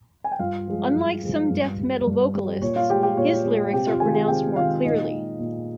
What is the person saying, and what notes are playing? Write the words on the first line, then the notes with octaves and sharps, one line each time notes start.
Unlike some death metal vocalists, his lyrics are pronounced more clearly.
G#5
G5
G2 F4 F5
F3 G#3
G2
F3 G#3
G2
G3
G2
G3
A#2 C#5
F4 F5
G#3 G4 G5
G4 G5
A#2 C#5
G#3
C3 G4 G5
F4 F5
D#3 G#3 G#4 G#5
G#4 G#5
C3 G4 G5
D#3 G#3 F4 F5
A#2 D#4 D#5
G#3
A#2